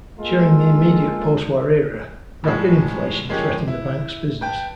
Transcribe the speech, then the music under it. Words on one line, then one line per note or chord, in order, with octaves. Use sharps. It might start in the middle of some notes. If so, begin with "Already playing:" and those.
During the immediate postwar era, rapid inflation threatened the bank's business.
G#3 A#3 F4 A4
A2 F3 G3 G#3 F#4
F3 G#3 A#3 C#4 G4
E4
B4 G5 A5